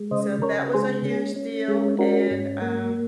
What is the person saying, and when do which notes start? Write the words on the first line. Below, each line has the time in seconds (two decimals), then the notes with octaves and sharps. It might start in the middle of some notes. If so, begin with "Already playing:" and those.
So that was a huge deal. And, um,
Already playing: G#3
0.11 C#3 C5 D#5
0.42 C#3 A#4 C#5
0.74 G#3 G#4 C5
1.05 C#4 G#4
1.36 C#4
1.68 G#3 G#4
1.99 C#4 F#4 A#4
2.31 G#2
2.62 A#3